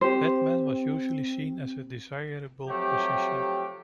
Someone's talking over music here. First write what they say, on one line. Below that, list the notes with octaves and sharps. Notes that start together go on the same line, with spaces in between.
Batman was usually seen as a desirable position.
C4 G4 C5
C3 F3 F#3 A3 G4